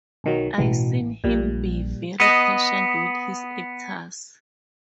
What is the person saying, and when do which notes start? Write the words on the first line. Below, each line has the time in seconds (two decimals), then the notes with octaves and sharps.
I seen him be very patient with his actors.
0.24 B1 D#3 F#3
0.58 A1 B2 E3
1.24 A#1 A#2 G3
2.20 B3 D#5